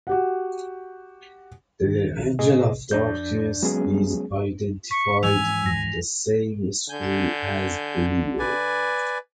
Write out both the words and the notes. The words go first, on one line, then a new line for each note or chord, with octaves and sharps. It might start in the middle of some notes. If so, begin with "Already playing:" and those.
The Angel of Darkness is identified in the same scroll as Belial.
F#4 G4 F#5
D#3
A2 G#4 D#5
F2 D4 D5 G6
F#3 G#3 B3 C#4 G#4
C#6 B6
G#2 E3 F3 G#5 E6 F7
A#6
D3 G#5 G6
B4 D5 G#5